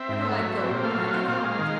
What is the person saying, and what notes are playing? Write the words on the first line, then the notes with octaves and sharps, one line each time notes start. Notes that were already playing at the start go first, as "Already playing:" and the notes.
"Where do I go when I get out?"
Already playing: C4 E5
G#2
A3
F#3
C4
A#2
A3 F5
F#3
C4
A#2
G#3
D#3